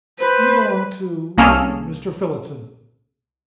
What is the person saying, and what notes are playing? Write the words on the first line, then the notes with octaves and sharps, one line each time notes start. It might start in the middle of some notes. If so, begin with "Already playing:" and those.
You belong to--Mr. Phillotson.
B4 C5
C2 A#3 C#4 G#4 A4 F6